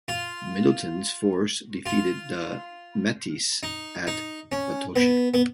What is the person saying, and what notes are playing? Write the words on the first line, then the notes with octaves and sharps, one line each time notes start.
Middelton's force defeated the Metis at Batoche.
F4
F4
D#4
D#4
C#4
B3
B3